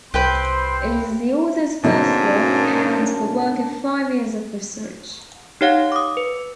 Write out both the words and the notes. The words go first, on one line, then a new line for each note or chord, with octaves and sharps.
It is the authors' first book and the work of five years of research.
C2 C4 G4 B4 C5 G5 C6
G#2 B2 D3 F#3 A#3 C#4 D4
D#4 G4 C#5 F5 F#5
D6 D#6
B4